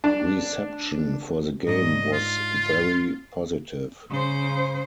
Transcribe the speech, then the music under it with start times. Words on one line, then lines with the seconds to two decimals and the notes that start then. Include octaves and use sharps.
Reception for the game was very positive.
0.04 D4
1.67 G#2 D4 D#5
2.12 F4
4.11 C#3 C5